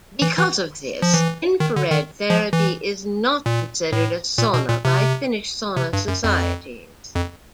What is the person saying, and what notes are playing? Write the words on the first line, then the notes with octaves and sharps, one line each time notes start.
Because of this, infrared therapy is not considered a sauna by Finnish sauna societies.
E3
E3
F3
E3
D#3
D3
D#3
F3
E3
A#2
A2
A#2
B2
A#2
C3
C3
G2
F#2
F2
F2